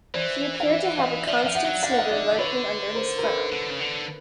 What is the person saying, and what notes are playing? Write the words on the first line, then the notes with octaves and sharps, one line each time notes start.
He appeared to have a constant snigger lurking under his frown.
E3 C5 D5
F5
D5 E5
D#5 F5
F3 D5 E5
F3 F5
E5 F#5
F#3
D3 F5
F#5
D#5 F5
D5 E5
D3 B4 C#5
A#4 C5
A#4
A4 B4
D3
C#3
D3